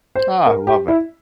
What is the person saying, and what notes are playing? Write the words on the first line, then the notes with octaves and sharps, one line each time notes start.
Ah, love it.
C5
A#4
G4
E4